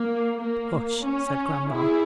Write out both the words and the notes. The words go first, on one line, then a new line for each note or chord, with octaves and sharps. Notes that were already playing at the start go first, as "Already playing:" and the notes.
"Hush!" said grandma.
Already playing: A#3
A#3
C#4
E4 G#4